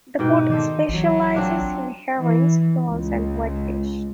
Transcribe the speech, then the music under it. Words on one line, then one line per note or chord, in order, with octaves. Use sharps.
The port specialises in herrings, prawns, and whitefish.
G#2 B2 D#4 G5
D#3 A4 C5 D5
A1 F#3
C4 D4 F4
E3
C#2